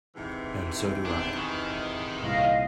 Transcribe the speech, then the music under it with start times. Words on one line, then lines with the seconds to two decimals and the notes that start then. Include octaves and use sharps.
And so do I.
0.15 G#2 C3 E3
1.05 B3 D4 B4 D6
1.36 D#3 G#5 C#6 E6
2.22 C2 A#2 D#5 F5